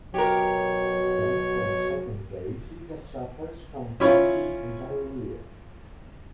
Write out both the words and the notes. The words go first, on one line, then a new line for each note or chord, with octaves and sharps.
Then, from the second day, Hilda suffers from vomiting and diarrhoea.
B2 F#3 G4 A#4 C#5 C#6
C#4 E4 F4 C#5